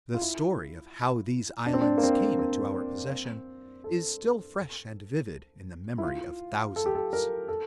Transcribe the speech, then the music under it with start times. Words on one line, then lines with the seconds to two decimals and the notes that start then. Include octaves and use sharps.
The story of how these islands came into our possession is still fresh and vivid in the memory of thousands.
0.14 F4
0.21 E4
1.66 D4
1.74 C4
1.82 D4
1.98 A#3
2.03 C4
2.39 C4
3.84 A4
5.98 E4
6.04 F4
6.76 A4
6.86 G4
6.95 A4
7.13 A#4
7.48 A4